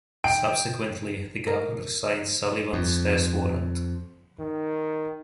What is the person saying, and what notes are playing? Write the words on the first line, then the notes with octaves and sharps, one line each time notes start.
Subsequently, the governor signs Sullivan's death warrant.
G5 D7
A#4
F2
D#3